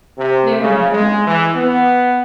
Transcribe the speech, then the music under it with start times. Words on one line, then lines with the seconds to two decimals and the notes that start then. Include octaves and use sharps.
'Very well.
0.18 C3
0.61 C#3
0.92 G#3
1.26 E3
1.55 B3